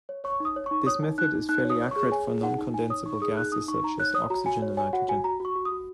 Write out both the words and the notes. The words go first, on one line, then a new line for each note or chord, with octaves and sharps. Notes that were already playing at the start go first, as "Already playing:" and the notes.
This method is fairly accurate for non-condensible gases, such as oxygen and nitrogen.
C#5
C#5 C#6
D#4 D#6
C#5
C#6
D#4
C#5 D#6
D#4
D#4 F#6
D#4
D#4 F#6
C#5
D#6
C#5
C#6
G#4
C#5 G#5
G#4
D#4 F#5
D#4
D#4 G#5
C#5 D#6
D#4 C#6
G#4 D#6
D#4 F#6
D#4 D#6
D#4 C#6
D#4 A#5
C#5 F#6
C#5 D#6
F#4 A#5
F#4 G#5
C#5
C#5 G#5
F#4 F#5
F#4 G#5
F#4 A#5
F#4 C#6
F#4
D#6
F#4